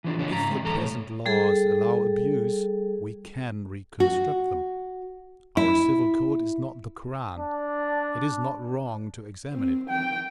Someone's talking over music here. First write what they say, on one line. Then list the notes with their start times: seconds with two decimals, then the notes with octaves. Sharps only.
If the present laws allow abuse, we can reconstruct them. Our civil code is not the Koran; it is not wrong to examine it.
0.04 E3 F3 D4
0.18 C#3 D4 C#5 D#5
0.31 G#2 C#3 A#5
0.49 C3 G#3 G#4
0.63 E2 G#2 A4 A#5
0.77 A2 C#5
1.26 G3 G#4 A4
4.00 F#4
5.57 E4
7.38 D4
9.53 C4
9.89 G5